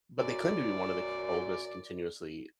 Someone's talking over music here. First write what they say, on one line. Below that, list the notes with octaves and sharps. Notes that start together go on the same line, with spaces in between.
but they claim to be one of the c oldest continuously
F#2 D5